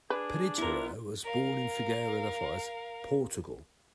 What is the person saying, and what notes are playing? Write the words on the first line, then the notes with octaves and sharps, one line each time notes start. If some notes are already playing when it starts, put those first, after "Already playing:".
Penicheiro was born in Figueira da Foz, Portugal.
D4 G#4 B4
B3 E4 F4 A#4
A#4 F5